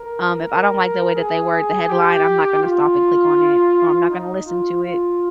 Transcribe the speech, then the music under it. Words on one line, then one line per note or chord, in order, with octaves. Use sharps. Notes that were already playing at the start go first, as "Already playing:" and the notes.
um, if I don't like the way that they word the headline, I'm not gonna stop and click on it or I'm not gonna listen to it,
Already playing: A#4
A#4
G#4
G4
F4
D#4
F4
F4